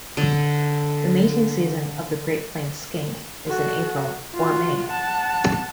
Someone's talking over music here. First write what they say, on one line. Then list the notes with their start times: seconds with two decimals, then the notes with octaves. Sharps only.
The mating season of the Great Plains skink is in April or May.
0.17 D3 A4
3.47 F#4 A4
4.34 F4 F#4
4.88 F#5 A5